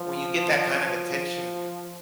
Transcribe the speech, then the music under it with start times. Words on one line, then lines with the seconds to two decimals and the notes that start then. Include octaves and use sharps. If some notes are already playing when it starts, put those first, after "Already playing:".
when you get that kind of attention,
Already playing: F3
0.84 F3